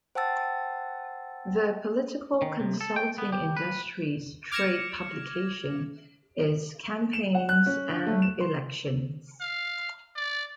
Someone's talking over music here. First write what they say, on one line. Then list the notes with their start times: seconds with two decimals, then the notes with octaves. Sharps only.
The political consulting industry's trade publication is "Campaigns and Elections".
0.15 C5 F#5 G5 A5 E6 A6
2.42 D#3
2.60 C3
2.81 A4
2.96 G5
3.18 B3
3.32 G4
3.57 B4
4.52 D6 F6 G#6 A#6 C#7 E7
7.13 E7
7.35 F#5
7.49 F#6
7.66 C#4
7.89 D3
8.06 A3
8.22 E7
8.41 C6
9.41 F5
10.16 D5